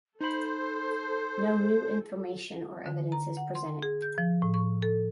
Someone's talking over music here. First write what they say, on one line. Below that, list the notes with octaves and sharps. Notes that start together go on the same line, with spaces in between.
No new information or evidence is presented.
D#4 A4 C5 B5 C6
D3
A#5
F#5
C6
G#4
G6
F3
A2
C#6
A4